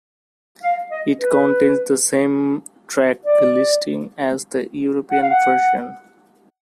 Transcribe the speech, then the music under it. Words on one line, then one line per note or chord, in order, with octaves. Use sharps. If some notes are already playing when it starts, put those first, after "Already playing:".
It contains the same track listing as the European version.
F5
D#5
B4
D5
F#5
F5
F#5